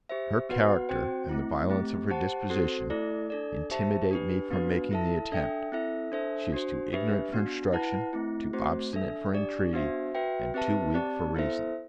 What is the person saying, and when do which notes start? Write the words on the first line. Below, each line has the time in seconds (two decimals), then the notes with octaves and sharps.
Her character and the violence of her disposition, intimidate me from making the attempt: she is too ignorant for instruction, too obstinate for intreaty, and too weak for reason.
0.09 G4 C5 E5
0.49 B3 F#4 B4 F#5
0.89 C4 F#4 C5 G5
1.29 A3 C4 E4
1.70 A3 C4 G4
2.10 G4 C5 F#5 A5
2.50 C4 F#4 A4 C5
2.90 A3 E4 A4 D5
3.30 D4 A4 D5
3.71 G4 C5 E5 A5
4.11 D4 G4 B4
4.51 B3 D4 F#4 B4
4.91 E4 A4 E5 A5
5.32 D4 A4 E5 G5
5.72 C4 E4 A4 E5
6.12 D4 A4 C5 E5
6.52 D4 F#4 C5
6.92 D4 G4 B4 E5
7.32 B3 D4 F#4
7.73 E4 B4 F#5 A5
8.13 A3 C4 E4
8.53 A3 C4 F#4 C5
8.93 D4 A4 E5
9.34 D4 G4 D5
9.73 B3 D4 F#4 C5 E5
10.15 F#4 B4 E5 G5
10.54 C4 G4 B4 E5 A5
10.94 C4 G4 D5 A5
11.35 B3 E4 A4 C5 E5